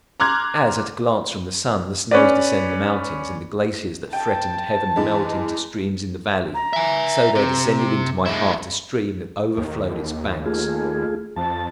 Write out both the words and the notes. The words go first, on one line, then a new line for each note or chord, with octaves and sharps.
As at a glance from the sun the snows descend the mountains and the glaciers that threatened heaven melt into streams in the valley, so there descended into my heart a stream that overflowed its banks.
A#5 C6 D6 F6 F#6 G#6
C#4 B4 D5
G5 A5
E2 G#3
A#5
E5 G#5
C3
G#3 E4
D#2
A3 F4 G#4
F2 A5